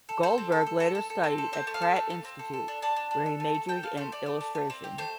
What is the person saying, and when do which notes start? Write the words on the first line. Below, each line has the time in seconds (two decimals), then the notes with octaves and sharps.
Goldberg later studied at Pratt Institute, where he majored in illustration.
0.09 A4
0.23 A4 C5
0.38 C4
0.52 A4
0.67 A4
0.80 A4
0.95 A4
1.10 A4
1.24 C4
1.38 A4
1.53 C4 C5
1.67 A3
1.74 F5
1.82 A4
1.96 A3
2.10 A3
2.25 C4
2.39 A4
2.54 A4
2.68 D4
2.82 D4 A5
2.96 D4
3.11 D4
3.26 A4
3.40 A3
3.54 A4
3.68 A4 G5
3.83 A3 F5
3.97 A3 C5
4.12 A3 D5
4.26 A3
4.41 A3
4.55 A3
4.70 C4
4.84 G4
4.98 A3 C5